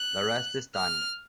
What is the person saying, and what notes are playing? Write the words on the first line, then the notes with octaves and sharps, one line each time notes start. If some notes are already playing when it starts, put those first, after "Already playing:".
The rest is done.
Already playing: F#6
F6